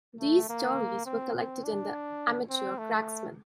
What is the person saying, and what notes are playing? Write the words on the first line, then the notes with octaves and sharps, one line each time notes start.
These stories were collected in The Amateur Cracksman.
A3
A#3
C4
C4
D4
C4
A3